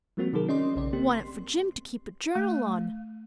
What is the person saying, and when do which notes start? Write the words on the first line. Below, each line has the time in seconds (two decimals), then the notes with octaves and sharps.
"Want it for Jim to keep a journal on."
0.17 F3 G3 A#3 C4 F#4
0.33 C3 D#3 F#3 G#4 A#4
0.48 C#4 D5 D#5 C6
0.76 A#1 C#3 D5
0.93 A#3 C4 G4
1.15 C6
2.35 A3